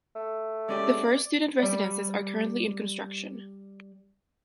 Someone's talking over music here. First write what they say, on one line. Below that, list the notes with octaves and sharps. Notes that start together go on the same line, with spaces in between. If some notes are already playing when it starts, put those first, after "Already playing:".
The first student residences are currently in construction.
A3
G#3 C#4 G4 D5
G3 D5